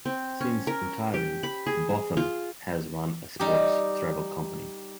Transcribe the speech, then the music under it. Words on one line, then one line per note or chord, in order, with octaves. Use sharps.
Since retiring, Botham has run a sports travel company.
C4
C#4
A#4
G4
B5
G#4
G#4
F4
G3 D#4 G4